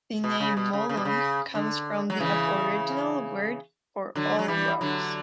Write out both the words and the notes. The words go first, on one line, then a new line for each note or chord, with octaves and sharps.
The name Molong comes from the aboriginal word for 'all rocks'.
B2
C#3
B2
C#3
C#3
B2
C#3
D3
F#3
C#3 E3
D3 F#3
F#3
E3 G3
D3 F#3